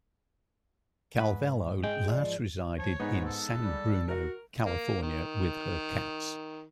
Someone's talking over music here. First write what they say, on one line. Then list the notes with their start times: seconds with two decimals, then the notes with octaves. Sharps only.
Calvello last resided in San Bruno, California with her cats.
1.18 G#2 B4
1.84 G#3 G5
2.11 F3 D5
2.78 F3 C#5
3.00 G#2 G#3 B3 D#4
3.25 A4
3.64 G3
4.08 F#4 A#4
4.66 A#3
5.02 D#3